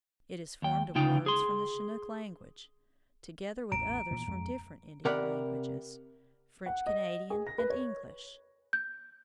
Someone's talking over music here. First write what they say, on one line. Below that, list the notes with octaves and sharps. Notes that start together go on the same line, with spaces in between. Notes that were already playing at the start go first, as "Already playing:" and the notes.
It is formed of words from the Chinook language, together with others from different Indian languages, French-Canadian, and English.
D#2 G5
D2 C#3 D#4 F4 G5
G#4 C6
A1 E2 A2 A#5 D7
A#2 E3
F2 G#3
C3 A#4 D5 F#5 B5
F#5
D#5
G#4
A#6
B4
C#5
G6